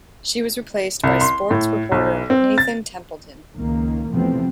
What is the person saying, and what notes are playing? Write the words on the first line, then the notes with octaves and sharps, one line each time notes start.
She was replaced by sports reporter Nathan Templeton.
C2
C6
A2
B1
C4
A6
C#2 D#3 A#3
E2 C3 F3 A3 B3 C4